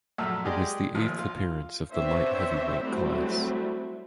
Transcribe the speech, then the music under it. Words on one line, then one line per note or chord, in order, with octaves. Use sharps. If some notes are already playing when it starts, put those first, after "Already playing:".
It was the eighth appearance of the light heavyweight class.
A#1 F#2 A3 E5 E6 F6
G#3 G4 G#4 D5 D#5
A1 D#2 F3
F4
B3 C4 D4 C5 C#5 E5
F#3 G3 A3 C4 E4 F#4